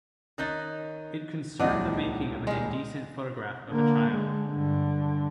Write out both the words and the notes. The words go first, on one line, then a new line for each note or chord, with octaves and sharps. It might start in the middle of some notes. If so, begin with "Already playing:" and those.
It concerned the making of an indecent photograph of a child.
D#3 C#4 D#4 F#6 G6 A6
D#1 C#2 C4 D4 E4 F#4 D#5 F#5
D#3 G3 G#3
D3 A#3
D3 G#3
G2 D3